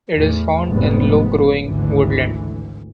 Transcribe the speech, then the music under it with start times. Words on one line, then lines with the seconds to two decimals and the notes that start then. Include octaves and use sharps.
It is found in low-growing woodland.
0.15 E2 A2
0.69 F1 G#2 B3
1.64 G#1 D2 A2 D3 E3